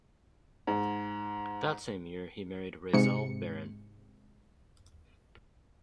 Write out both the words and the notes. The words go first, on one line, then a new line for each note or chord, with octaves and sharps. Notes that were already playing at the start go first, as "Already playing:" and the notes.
That same year he married Rayzele Barron.
G#2
G#2 C3 C#7